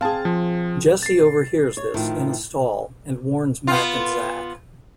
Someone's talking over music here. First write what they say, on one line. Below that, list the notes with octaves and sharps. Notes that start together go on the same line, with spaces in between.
Jesse overhears this, in a stall, and warns Mac and Zack.
C4 G#4 F5 A5
F3
A6 C7
C#5
A2 D#3 F3
B3 F4